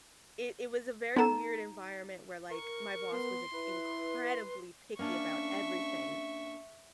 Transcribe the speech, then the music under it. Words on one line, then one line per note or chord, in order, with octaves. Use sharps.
it it was a very weird environment where, like, my boss was in incredibly picky about everything.
B3 D#4 A4 A#5
A#4 C#6
B3 C6
E4 B4
A#3 C#4 D4 E5 C#6